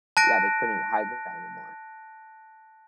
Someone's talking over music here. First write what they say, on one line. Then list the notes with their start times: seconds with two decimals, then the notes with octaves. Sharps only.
Yeah, they couldn't hide this guy anymore.
0.17 A5 F#6 A#6 D7